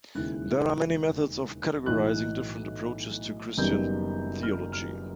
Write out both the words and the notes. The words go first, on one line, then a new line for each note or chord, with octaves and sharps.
There are many methods of categorizing different approaches to Christian theology.
E1 D#2 C#3 E3 F#6
B1 A2 E3 F#6
F#1 F#2 D#3 G3 B3 G6
F6
F6